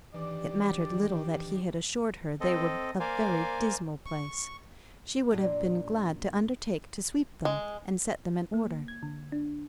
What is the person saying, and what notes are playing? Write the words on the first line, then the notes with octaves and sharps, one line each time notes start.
It mattered little that he had assured her they were a very dismal place; she would have been glad to undertake to sweep them and set them in order.
D#3 E3 D4 G4 D5
C4 A4 D#5
A#3 A#4 C5 D5 F5 G#5
C#6
F#2 A#2 D4
G#3
A#3
G#6
D3
D4